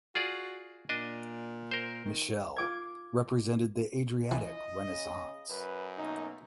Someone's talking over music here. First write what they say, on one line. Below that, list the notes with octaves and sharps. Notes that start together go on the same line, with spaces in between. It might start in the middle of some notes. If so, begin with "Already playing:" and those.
Michele represented the Adriatic renaissance.
F4 F#4 G#4 D5
A#2 D4 D#5
A#4 C5
D#3
F4 D6 G#6
E3 D#5
C#3
F#2 B4
B2 A3 A#3 D#4